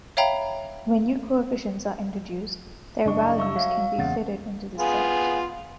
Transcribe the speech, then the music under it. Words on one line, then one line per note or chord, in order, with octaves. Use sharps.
When new coefficients are introduced, their values can be fitted into the set.
C#5 E5 F5 G5 A#5 B5
F#1 D4 D#5 C#6
E5 C#6 E6
F#3 F5
E2 C#3 A#3 F#5 A6
B3 F4 G#4